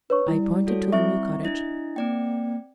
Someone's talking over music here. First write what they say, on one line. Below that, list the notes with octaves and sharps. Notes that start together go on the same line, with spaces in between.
I pointed to the new cottage.
D4 B4 C#5 C#6
G3 E4
F#4 A4 C#5
C4 E4 E5 C#6
D4 E4 D#5
A#3 C4 D5 G5